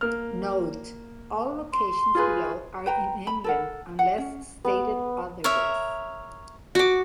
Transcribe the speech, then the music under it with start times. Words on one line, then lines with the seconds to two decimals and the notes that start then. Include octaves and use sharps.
Note: All locations below are in England unless stated otherwise.
0.01 A#3 F6
1.72 C6
2.15 F4 G#4 B4
2.86 B4 G5 A#5
3.27 B5
3.44 A4 A#4 F#5
3.99 F#5
4.18 C#4
4.65 B3
5.44 A#4 C#5 E5
6.75 F#4 D6